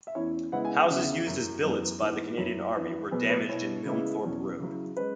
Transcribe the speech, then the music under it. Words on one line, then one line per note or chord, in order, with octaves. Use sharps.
Houses used as billets by the Canadian army were damaged in Milnthorpe Road.
E5
E2 E3 C#4 E4 C#5
C#3 G#3 B3 E4 F#5
G#5
F#5
E2 C#3 E3 C#4 E5
F#2 F#3 E4
F#2 E3 B3
G#2 E3 B3 E4
F#2 F#3 E4 C#5
E2 E3 B3 E4
B2 F#3 B3 G#4
B4
B2 B3 E4 C#5
C#3 G#3 B3 E4
E2 B2 F#3 C#4
C#3 F#3 E4
G#3 C#4 B4